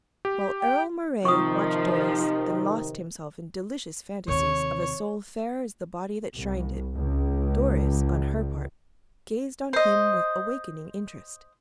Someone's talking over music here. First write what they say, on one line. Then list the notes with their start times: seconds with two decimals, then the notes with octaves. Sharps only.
While Earle Moray watched Doris, and lost himself in delicious fancies of a soul fair as the body that shrined it, Doris, on her part, gazed on him with awakening interest.
0.25 G4
0.61 G5
1.25 C3 D#3 F3 D#4 C#6 D#6
4.28 D#2 C3 C#5
6.37 C2
6.94 C#2
9.73 C5 D#5